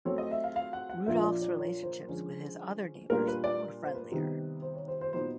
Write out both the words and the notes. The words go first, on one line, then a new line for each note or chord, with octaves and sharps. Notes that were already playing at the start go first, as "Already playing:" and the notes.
Rudolph's relationships with his other neighbours were friendlier.
F#3 A3 C4 C#5
D#5
E5
F5
F5
F#5
F#5
A#2 F3 A#3 D4 F4 E5
D5
D5
C#5
C5
D3 F3 G#3 C#4
A#2 G3 A#3 D4 F4 A#4
B4
D5
C5
B4
C3 D#3 G3 B3 D#4
C5
C#5
C5
C5
A#2 F#3 B3 D#4 C5